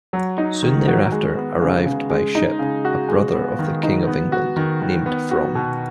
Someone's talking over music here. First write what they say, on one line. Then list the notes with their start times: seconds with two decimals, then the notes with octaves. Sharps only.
Soon thereafter, arrived by ship a brother of the king of England named From.
0.13 F#3
0.38 D#4
0.63 D#3
0.87 F#4
1.12 G#3
1.37 B3
1.62 C#3
1.86 C#3
2.10 G#3
2.35 D#4
2.59 C#3
2.85 F#4
3.08 G#3
3.34 B3
3.59 D#3
3.83 D#4
4.07 B3
4.32 F#4
4.56 D#3
4.82 D#3
5.06 B3
5.31 F#4
5.55 B2